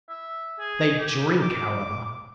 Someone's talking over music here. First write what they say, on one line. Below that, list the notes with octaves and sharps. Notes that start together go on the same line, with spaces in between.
They drink, however.
E5
G#4
G4
D6